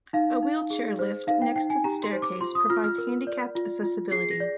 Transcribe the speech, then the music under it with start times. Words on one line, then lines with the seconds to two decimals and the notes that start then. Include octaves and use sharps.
A wheelchair lift next to the staircase provides handicapped accessibility.
0.13 D#4 F5
0.42 D#4
0.70 G#4
0.99 C5
1.27 D#4 F5
1.42 G5
1.56 D#4 G5
1.70 G#5
1.84 G4 A#5
2.03 C6
2.13 C5
2.22 D6
2.41 F4 C6
2.55 D#6
2.70 F4 F6
2.84 F6
2.98 A#4
3.27 D5
3.55 F4
3.83 F4
4.11 G#4 C7
4.31 A#6
4.40 D5